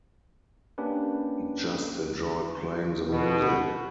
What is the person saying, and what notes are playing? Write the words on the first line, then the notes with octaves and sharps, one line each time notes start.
He just enjoyed playing the music.
A#3 C#4 D4 G4 B4
B2